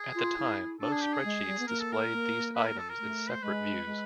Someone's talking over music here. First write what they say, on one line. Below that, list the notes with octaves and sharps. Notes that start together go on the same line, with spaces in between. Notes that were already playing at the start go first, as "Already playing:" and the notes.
At the time, most spreadsheets displayed these items in separate views.
Already playing: G#4
F4
E4
D4 A4
G#4
G4
G#4
G#3
G3
B3
A#3 A#4
A4
A#4
A#3
B4
A#4
A4
A#4
A3
C5
G#3 B4
G#3